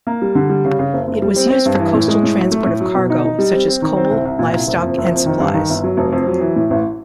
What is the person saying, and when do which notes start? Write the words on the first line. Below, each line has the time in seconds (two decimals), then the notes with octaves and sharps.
It was used for coastal transport of cargo such as coal, livestock, and supplies.
0.07 A#3
0.22 G3
0.35 D3
0.49 G3
0.65 C#3
0.79 C#3
0.93 F#1
1.07 F#1
1.22 G3
1.36 C4
1.50 C4
1.66 G2
1.79 E3
1.94 A2
2.08 G#3
2.23 A2
2.37 F#3
2.51 A3
2.66 A2
2.81 F#3
2.95 B2
3.10 D#4
3.24 D#4
3.39 G3
3.53 C4
3.68 C4
3.82 D#3
3.97 C4
4.11 C2
4.25 C2
4.39 A#2
4.53 C2
4.67 F#1
4.82 F2
4.97 F#1
5.11 F2
5.26 D#3
5.40 G2
5.54 D#3
5.70 G1
5.84 F#3
5.97 F1
6.12 F2
6.27 F#3
6.40 E3
6.56 A2
6.70 A1